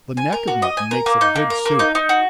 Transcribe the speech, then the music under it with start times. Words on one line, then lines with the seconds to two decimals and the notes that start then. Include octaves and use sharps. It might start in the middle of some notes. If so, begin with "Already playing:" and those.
The neck of mutton makes a good soup.
0.17 G#5
0.33 A#4
0.48 F#4
0.62 D#5
0.77 G#5
0.91 A#4
1.06 A#3
1.21 D#4
1.36 A#3
1.50 A#4
1.66 A#3
1.79 D#4
1.95 D#4
2.09 F#4